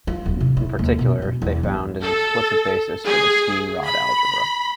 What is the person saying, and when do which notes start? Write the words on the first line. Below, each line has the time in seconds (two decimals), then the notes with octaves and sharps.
In particular they found an explicit basis for the Steenrod algebra.
0.07 F4
0.26 D1
0.40 C3
0.57 E4
0.79 D#2
0.99 B2
1.22 B2
1.42 E2
1.63 G1
2.03 A4
3.06 G#4
3.84 B5